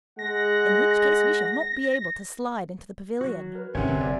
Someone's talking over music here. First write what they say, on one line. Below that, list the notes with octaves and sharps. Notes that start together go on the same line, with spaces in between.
In which case we shall not be able to slide into the pavilion.'
G#3 F#5 A#6
F#3 F#4
A#4 B4
G#1 C3 C#4 C#5 F#5 G#5 C6
F#1 D2
F#1 D5